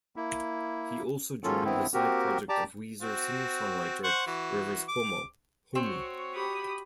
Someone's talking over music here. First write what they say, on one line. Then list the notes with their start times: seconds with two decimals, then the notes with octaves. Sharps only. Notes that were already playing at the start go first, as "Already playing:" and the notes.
He also joined the side project of Weezer singer-songwriter Rivers Cuomo, Homie.
0.16 A#3 E4
1.44 D#3 F#3 A#3 C#4 F4 A4
1.64 G2 D#3 B3 C4 E4
1.94 A#3 C4 F#4 G4 A#4
2.49 G4 D5 A5 A#5 D6
3.02 C4 F#4
4.04 C5 F#5 C#6
4.27 E3 F#4
4.88 D6
5.75 C4 F#4 C#5
6.33 G4 B5 D#6